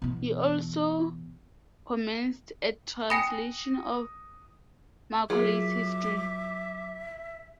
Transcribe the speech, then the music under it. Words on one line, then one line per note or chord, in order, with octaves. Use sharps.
He also commenced a translation of Macaulay's "History".
B2 E3
G5 G#5 B5 D#6 A#6 C#7
F#3 A#3 F4 G#4 E5 D6